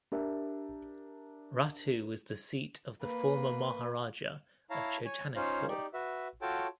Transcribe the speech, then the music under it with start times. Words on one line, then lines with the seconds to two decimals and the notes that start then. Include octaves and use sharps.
Ratu was the seat of the former Maharaja of Chotanagpur.
0.12 D4 G4 A#4 E5
3.02 A#3 B4
4.70 E4 C#5 F5 A5 A#5
5.05 C#5 G#5
5.36 C#4 D#4 F4 C5 C#5 F5
5.68 D#4 G4 D5
5.94 F#4 B4 E5
6.42 F4 F#4 A4 C#5 G5 A5